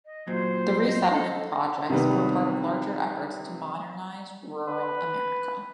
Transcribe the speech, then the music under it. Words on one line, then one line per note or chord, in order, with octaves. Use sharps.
The resettlement projects were part of larger efforts to modernize rural America.
D#5
A#2 F#3 C5
D#5
A4
C3 D#3 G3 B3
B4